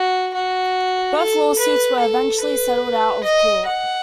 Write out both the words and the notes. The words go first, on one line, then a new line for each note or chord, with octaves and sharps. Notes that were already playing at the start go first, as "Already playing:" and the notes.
Both lawsuits were eventually settled out-of-court.
Already playing: F#4
F#4
A4
B4
A4
B4
D#5
F#5